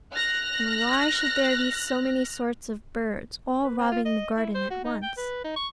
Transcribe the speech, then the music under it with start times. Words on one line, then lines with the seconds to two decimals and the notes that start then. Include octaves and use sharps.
And why should there be so many sorts of birds, all robbing the garden at once?
0.13 F6 F#6 A#6
3.63 B4
3.78 C4
3.92 F4
4.05 D#5
4.37 E4
4.55 C5
4.71 F#4
4.84 D#4
5.02 G5
5.17 B4
5.44 D#4
5.56 C#6